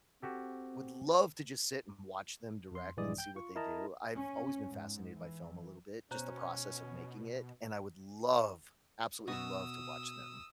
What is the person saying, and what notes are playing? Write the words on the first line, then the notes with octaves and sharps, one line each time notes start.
would love to just sit and watch them direct, and see what they do. I've always been fascinated by film a little bit, just the process of making it, and I would love, absolutely love, to watch them,
C4 F#4 G4 A4
F2 C6
A#1 G2 E3 G#3 D5 D#6
G5 G6
F4 C#6
E4 A#4 D#5 A5 A#5
C#4
G#2
E3
B2 C#4 C5 C#5 A#5
B2 F#4 D#6 E6